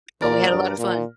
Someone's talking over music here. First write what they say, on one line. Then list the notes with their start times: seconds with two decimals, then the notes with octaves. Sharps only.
But we had a lotta fun.
0.22 A#2 A#4 D5
0.50 G2
0.78 A#2